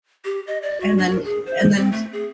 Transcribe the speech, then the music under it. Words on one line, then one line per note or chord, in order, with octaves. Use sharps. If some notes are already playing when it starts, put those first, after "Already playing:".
And then and then
G4
D#5
D5
F#4
D4
A#4
G#4
C5
C4
A3
G#4